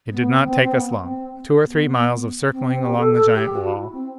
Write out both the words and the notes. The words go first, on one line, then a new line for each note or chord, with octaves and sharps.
It did not take us long--two or three miles of circling along the giant wall.
B3
C4
C4
B3
C4
B3
C4
C4
G4
A4
A4
G4
F#4
E4
C4